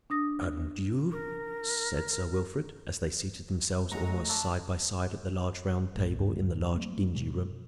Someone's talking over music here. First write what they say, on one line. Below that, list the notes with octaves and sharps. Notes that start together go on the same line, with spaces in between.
"And you?" said Sir Wilfrid, as they seated themselves almost side by side at the large, round table in the large, dingy room.
D4 D#6 A#6
A#4
F#3 G#3 A3 A#5 C#6
D4 C#5 E5 A5
A#1 A2
D2 G2 C#3
F#3 A3 A#3 C4
G2 B2 G#3